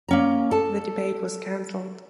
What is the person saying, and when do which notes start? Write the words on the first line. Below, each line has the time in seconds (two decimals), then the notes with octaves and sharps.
The debate was canceled.
0.08 A#3 C#4 A#5
0.51 A4 A5